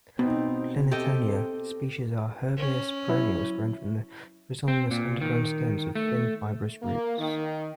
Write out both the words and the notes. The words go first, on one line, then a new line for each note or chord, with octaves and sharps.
"Clintonia" species are herbaceous perennials growing from rhizomatous underground stems with thin, fibrous roots.
B2 B3 C4 D#4
C4 G4 A4 D#5
C#4
F#3 E4
C4
A#2
D#3
A3
A#3
D#3